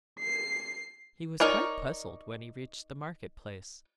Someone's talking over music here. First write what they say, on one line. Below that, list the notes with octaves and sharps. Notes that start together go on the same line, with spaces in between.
He was quite puzzled when he reached the market-place.
C7
D#4 A#4 C#5 D5